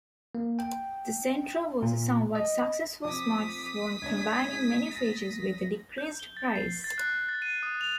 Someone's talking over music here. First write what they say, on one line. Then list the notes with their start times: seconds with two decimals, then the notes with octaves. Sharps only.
The Centro was a somewhat successful smartphone, combining many features with a decreased price.
0.35 A#3
0.59 G5
1.83 A#2
2.35 D#5
3.05 F2 D6 D#6 B6
4.02 C#2 C#4 D4 G#6
4.53 G#3 D#4
4.95 A6 A#6
5.98 G6
6.20 G7
6.37 A6
6.56 C7
6.84 A6
6.98 F#6
7.29 A6
7.42 D#7
7.63 D#6
7.81 F7